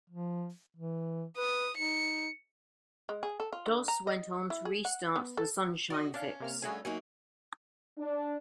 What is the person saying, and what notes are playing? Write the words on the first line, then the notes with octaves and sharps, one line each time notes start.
Doss went on to restart The Sunshine Fix.
F3
E3
B4 D#6
D#4 C#7
G#3
G#4
A4
F4
D3
A#5
D#5
E4
G#4
F#5
B3
A4
F#4 D5 D#5
C#4 D4 D5 F5
C3 A#3 F6
G2 A3 C#4 F#4 G#4 G#5
F#3 A#3 D#4 G#5
D4